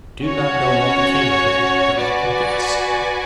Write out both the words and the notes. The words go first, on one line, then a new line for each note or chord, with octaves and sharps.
I do not know what became of him, but I can guess.
C#4 F#4 C#5
F#4 B4 D5 G#5